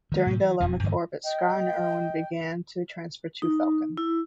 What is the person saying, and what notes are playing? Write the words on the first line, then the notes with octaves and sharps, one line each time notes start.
During the eleventh orbit, Scott and Irwin began to transfer to "Falcon".
D#3 G#3
A2 C3
E3
E1 F2 E3
G2 D3 E3 G#3
D#5 G5
D#4
E4